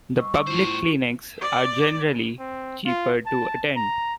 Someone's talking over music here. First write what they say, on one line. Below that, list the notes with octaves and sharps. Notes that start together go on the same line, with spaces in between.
The public clinics are generally cheaper to attend.
G3 D#5 C#6 E6
A2 E4 F4 C5
D5
C4
F4
A5
A#5